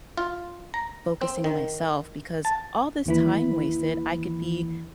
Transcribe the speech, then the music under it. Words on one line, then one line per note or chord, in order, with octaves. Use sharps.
focusing on myself, because all this time wasted, I could be,
F4
A#5
C4
D#3
A5
D#2 E3 B5